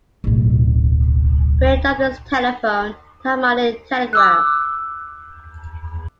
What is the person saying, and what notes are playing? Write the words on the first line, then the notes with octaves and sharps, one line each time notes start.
Gray dubbed his telephone "the harmonic telegraph".
D1 B1
D6 E6 F#6